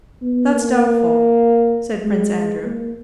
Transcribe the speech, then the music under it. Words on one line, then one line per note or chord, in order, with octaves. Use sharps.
"That is doubtful," said Prince Andrew.
B3
A#3
G#3
A#3